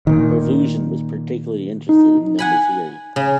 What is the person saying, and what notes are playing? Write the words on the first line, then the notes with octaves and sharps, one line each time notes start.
Pervushin was particularly interested in number theory.
A#2 D#3
D#4
F#5 G#5 B5
C#3